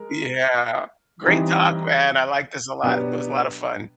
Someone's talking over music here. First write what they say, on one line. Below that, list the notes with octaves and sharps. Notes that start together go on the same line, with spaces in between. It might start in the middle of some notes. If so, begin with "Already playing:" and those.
Yeah, great talk, man, I like this a lot. It was a lot of fun.
Already playing: G#3 A#4
E3 G3 C4 D#4
B2 F#3 B3 D4 G4